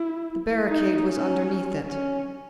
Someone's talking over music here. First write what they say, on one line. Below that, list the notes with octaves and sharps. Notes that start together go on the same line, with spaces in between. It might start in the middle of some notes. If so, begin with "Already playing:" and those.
The barricade was underneath it.
Already playing: E4
D#4
C#4
C#4